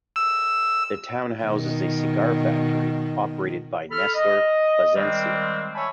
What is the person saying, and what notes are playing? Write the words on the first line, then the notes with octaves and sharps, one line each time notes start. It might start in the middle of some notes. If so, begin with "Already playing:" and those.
The town houses a cigar factory operated by Nestor Plasencia.
E6
B2 D#3
A4 B5 F6
D#5
D#3 G3 G#3 A#3 C4
C#5 E5 G#5 A5 B5